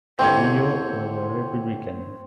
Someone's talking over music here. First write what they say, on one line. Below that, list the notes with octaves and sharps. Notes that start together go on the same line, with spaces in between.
Carrillo was a Republican.
D#2 D3 E3 C4 C#5